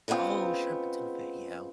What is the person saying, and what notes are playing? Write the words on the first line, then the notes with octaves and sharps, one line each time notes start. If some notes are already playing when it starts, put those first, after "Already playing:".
Oh, shrimp étouffée, yeah.
C#3 G#3 B3 C4 F4